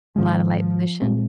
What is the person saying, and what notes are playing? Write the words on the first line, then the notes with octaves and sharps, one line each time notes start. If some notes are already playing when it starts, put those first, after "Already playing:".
Lotta light pollution?
G#2 D#3 F3 G#3
F3
A#2 G#3 C4